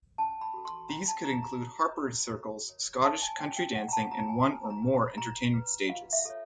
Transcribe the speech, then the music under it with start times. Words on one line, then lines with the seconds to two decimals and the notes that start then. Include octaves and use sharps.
These could include harpers' circles, Scottish country dancing, and one or more entertainment stages.
0.18 C#4 A5
0.41 B5
0.54 F#4 A4
0.65 C6
0.89 C#4 A#5
1.08 A5
1.25 F#4 A4 A#5
1.43 A#5
1.61 F#4
1.97 A#4 C#5
2.32 F#4
2.68 A#4 C#5
3.04 C#4 A5
3.22 G#5
3.39 F4 A#4 C#5 G5
3.57 G5
3.75 C#4 F#5
3.89 A#5
3.93 A5
4.11 F4 A#4 C#5 A#5
4.29 G#5
4.46 F#4
4.70 A#5
4.83 B4
4.94 B5
5.17 F#4 A#5
5.54 B4
5.89 F4 F5
6.13 E5
6.25 A4 C#5